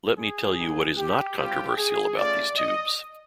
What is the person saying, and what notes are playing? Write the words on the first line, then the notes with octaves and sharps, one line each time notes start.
Let me tell you what is not controversial about these tubes.
G#4
B3 D#4 G4
G4
G3 C4 F4 G4
G#4
A3 C#4 F4 D5
D#5